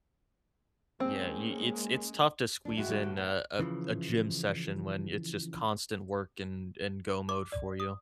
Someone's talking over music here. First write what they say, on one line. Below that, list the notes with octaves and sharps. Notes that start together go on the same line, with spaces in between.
yeah, you it's it's tough to squeeze in a a a gym session when it's just constant work and and go mode for you.
G#3 A#3 C4 C#4
E3 G#3 D4
D#3 G#3 A#3 E4 F#4
F2 D3 G3
A2
B3
C#3 E3 F3
D6
D5
D#6